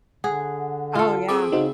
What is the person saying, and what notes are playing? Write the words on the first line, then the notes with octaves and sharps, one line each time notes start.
Oh, yeah.
D3 G#4 F#5
F4 A4
A3 C4 G#4 D6
C#3 D#4 F#4 C5